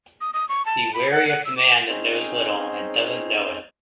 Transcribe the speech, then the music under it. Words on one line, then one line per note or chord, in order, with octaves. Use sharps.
Be wary of the man that knows little, and doesn't know it.
D#6
D#6
C#6
A5
B5
F#5
F#5
E6
D6
C4 C#4 D#4 G#4 C5